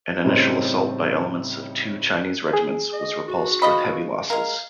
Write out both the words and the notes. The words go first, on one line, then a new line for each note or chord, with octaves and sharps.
An initial assault by elements of two Chinese regiments was repulsed with heavy losses.
A2 C#3 G3 C4 D#4
G#4
D#5
F#4
F3 D#5 B5
G#3 A#4 F5